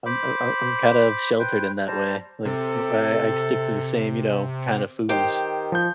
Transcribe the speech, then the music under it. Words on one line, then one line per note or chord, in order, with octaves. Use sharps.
I'm uh I'm I'm kind of sheltered in that way. like, I I I stick to the same, you know, kind of foods.
C5 B5 D6
B4 C5 G5
G3 C5 A5 A#5
C3 A4
D#3 G4 C5 G5
F3 G6